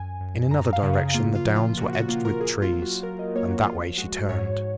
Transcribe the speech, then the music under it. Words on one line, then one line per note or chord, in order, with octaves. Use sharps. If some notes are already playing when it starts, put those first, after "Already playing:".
In another direction the Downs were edged with trees, and that way she turned.
Already playing: F#2 G#5
F#2
F#2 A#5
F5
C#3
G#4
A#3 F4
F4
F3
F4
A#2 F#4
F#4
A#3 F4
A#4
A#3 G#4
F4
F#3
F#4
F#3 A#4
D#5
A#3 C#5
F#4
F3 F4
G#3 F#4
G#2 C#5